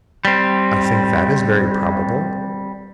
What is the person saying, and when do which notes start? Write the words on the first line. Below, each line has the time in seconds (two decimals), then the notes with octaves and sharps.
"I think that is very probable."
0.25 G3 C4